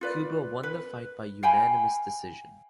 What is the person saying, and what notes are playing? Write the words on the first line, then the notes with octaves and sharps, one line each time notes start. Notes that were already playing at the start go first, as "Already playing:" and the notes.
Kubo won the fight by unanimous decision.
F4 B4 D5
B4
F5 G5 G#5 B5